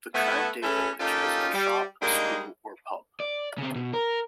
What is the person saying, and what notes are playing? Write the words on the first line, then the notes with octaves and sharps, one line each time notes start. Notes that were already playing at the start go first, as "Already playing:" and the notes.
The current-day village has no shop, school, or pub.
A3 B3 E4
A3 C#4 G#4 A4 B4
A#3 C#4 D#4 F4 G4 A4
G3
G3 G#3 A#3 D4 D#4
D5
C#3 C4
B2
A#4